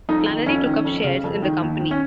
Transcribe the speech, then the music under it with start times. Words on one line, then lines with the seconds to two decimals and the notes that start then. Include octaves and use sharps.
Flannery took up shares in the company.
0.09 F2 D#4
0.28 D#3
0.46 F2 C#4
0.66 D#3
0.85 F2
1.04 C#3
1.24 F2
1.42 D#3
1.61 D#2
1.80 D#3
1.91 C#4